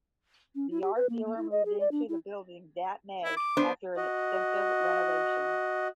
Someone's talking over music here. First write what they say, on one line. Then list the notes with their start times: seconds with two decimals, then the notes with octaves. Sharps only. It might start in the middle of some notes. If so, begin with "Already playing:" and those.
The art dealer moved into the building that May after an extensive renovation.
0.55 C#4
0.71 E4
0.82 G4
0.96 B4
1.09 A#3
1.26 A#3
1.37 E4
1.52 D#5
1.65 G#4
1.80 D5
1.91 D4
2.09 E4
3.25 E4
3.37 D6
3.57 B3 D4 C5
3.97 F#4 D#5